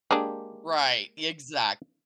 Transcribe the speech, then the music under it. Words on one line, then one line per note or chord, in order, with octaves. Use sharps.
Right, exact
G#3 A#3 D4 G4 G#4